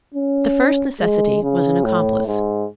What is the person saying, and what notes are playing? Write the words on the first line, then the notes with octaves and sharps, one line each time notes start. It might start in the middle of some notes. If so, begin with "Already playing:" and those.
The first necessity was an accomplice.
C#4
G#3
C#3
A2
G#2